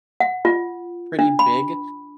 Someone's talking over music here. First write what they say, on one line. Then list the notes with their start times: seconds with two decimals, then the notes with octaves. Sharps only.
pretty big,
0.20 F#5
0.45 F4
1.19 D4
1.39 B5